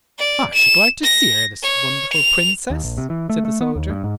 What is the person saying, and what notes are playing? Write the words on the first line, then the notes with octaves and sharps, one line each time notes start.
"I should like to see her, this wonderful Princess," said the soldier.
D5
E7
A#6
C#5
F7
D#2
A#1
C3
E3
A3
A3
B3
D#2
G2
G#2